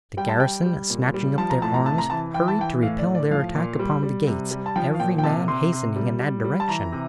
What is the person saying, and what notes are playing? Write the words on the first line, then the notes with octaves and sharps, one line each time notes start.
The garrison, snatching up their arms, hurried to repel their attack upon the gates, every man hastening in that direction.
G3 G5
A5
G3 G5
G3
A#2
G3
F3 A5
A#5
A2 A5
A#5
C3 A5
A#5
E3 A5
E3 G5
A5
E3 G5
A2 F5
D5
A2
D5
F3 F5
A#2
G3
G3
C3
G3
A5
F3 G5
F5
A#2 G5
G5
C3 A5
C3 C6
C3
G3
G3
G3
A5
E3 A#5
C3